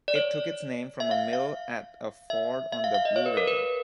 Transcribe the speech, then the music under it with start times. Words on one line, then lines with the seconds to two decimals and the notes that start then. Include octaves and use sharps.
It took its name from a mill at a ford on the Blue River.
0.08 D5
0.16 C#5
1.00 E5
1.11 F5
1.33 F5
2.30 E5
2.72 E5
2.84 F5
2.94 F5
3.05 D#5
3.16 C#5
3.26 B4
3.37 A#4
3.48 B4